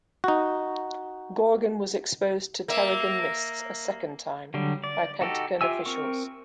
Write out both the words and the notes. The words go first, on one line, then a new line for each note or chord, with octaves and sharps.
Gorgon was exposed to Terrigen Mists a second time by Pentagon officials.
D#4 F#4
A#3 E5
D3 F#3 G3
D5
D#4 F#4 G4 A4
F4 G4 E5 G#5 E6
C4 A#4 C#6